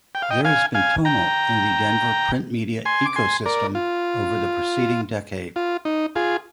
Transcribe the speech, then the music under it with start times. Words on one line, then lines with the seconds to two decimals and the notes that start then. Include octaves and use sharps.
There has been tumult in the Denver print media ecosystem over the preceding decade.
0.15 G5
0.22 F5
0.30 D#5 G5
0.45 F5 G#5
0.74 F5 G#5
1.05 G5 A#5
2.85 G#5 C6
3.06 D6
3.16 G#5 C6
3.46 A#4 D5
3.75 F4
5.56 F4
5.85 D#4
6.16 F4 G#4